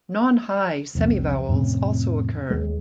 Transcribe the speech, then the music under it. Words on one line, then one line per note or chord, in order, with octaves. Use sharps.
Non-high semivowels also occur.
F1 C2 F2
F2 A2 C3 C#4
D#2 G#3